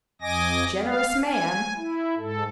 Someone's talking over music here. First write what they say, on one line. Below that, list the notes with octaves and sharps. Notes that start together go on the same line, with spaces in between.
"Generous man!"
F2 D#5 G#5 D6 A#6
F5
G#5
E4
G#2 A4